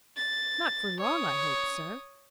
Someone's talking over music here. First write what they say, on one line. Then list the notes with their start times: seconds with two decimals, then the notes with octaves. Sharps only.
"Not for long, I hope, sir."
0.16 A6
1.01 C#5 D#6